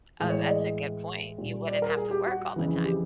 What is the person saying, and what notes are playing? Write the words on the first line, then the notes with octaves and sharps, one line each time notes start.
Oh, that's a good point. You wouldn't have to work all the time.
A2 E3 G#3 G#4
C#5
D5
D#5
A#2 G3
D5
A#4
G#4
G4
F#4
F2 C#3 E3
G4